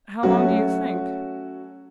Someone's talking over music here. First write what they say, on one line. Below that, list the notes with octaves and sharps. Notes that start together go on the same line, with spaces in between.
'How long do you think?'
F#3 A3 C#4 F#4